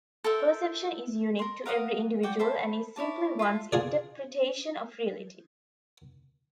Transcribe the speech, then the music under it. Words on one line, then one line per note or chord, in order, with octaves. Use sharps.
Perception is unique to every individual and is simply one's interpretation of reality.
A4 A#4 C5 E5
A#4 C6
A#4 F5 F#5 D#6
F#4 D5 G5
C5 E5 A5 B5
E4 C#5 D5 A5
F4 A4 E5
F4 G#4 D5